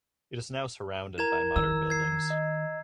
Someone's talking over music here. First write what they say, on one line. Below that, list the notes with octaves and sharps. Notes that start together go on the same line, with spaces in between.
It is now surrounded by modern buildings.
E4 A#4 A#5 G#6 E7
D#3 E6
G#6 C7
D#5